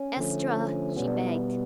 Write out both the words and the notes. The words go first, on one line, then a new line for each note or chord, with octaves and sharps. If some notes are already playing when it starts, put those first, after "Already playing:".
"Estra!" she begged.
Already playing: C#4
D3 F3 A3
B2 G3 B3 C#4
D4
D#4
E4